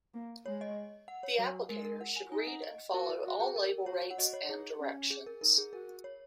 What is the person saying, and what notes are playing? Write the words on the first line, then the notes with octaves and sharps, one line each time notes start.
The applicator should read and follow all label rates and directions.
A#3
G#3 C#5
D#5
F#5
C#5
F#3
G#3 A#4
A#4
F#5
G#5
D#4 G#5
F#5
D#5
F#4 A#4
A#4
F#4
G#4
A#4
F#4 C#5
C#5
F#5
F#4 D#5
C#5
D#4 G#4
C#4
G#4
A#4
D#4 A#4
G#4
F#4 A#4
C#5